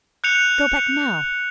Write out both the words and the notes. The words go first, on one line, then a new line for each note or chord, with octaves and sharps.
Go back now!
F#6 G6 C#7 F7